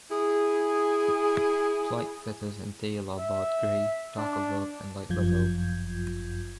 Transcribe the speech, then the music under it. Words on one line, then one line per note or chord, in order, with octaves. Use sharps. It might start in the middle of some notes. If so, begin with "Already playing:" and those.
Flight feathers and tail are barred grey, dark above and light below.
E4 G#4
E5
D4
G1 F#2 F3 F4 G6 G#6